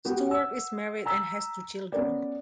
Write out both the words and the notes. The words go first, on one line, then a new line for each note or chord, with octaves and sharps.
Stewart is married and has two children.
B3 F#4 G4 A#4
F#5 E6
G#5 A#5 E6 B6
B3 C#4 A#4 D5